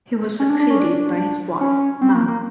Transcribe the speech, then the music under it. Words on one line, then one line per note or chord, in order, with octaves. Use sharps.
He was succeeded by his wife, Ma.
C#4
D4
D4
C#4
D4
C#4
C4
A#3
A#3